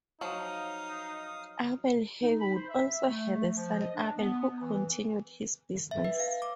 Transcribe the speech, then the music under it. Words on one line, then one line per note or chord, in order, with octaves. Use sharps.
Abel Heywood also had a son Abel who continued his business.
F3 F#3 D#4 F5 D#6
D#4
B5
C5
E5
A3
F3
D#5
D4
B3
E3
E5
B4
F5
D6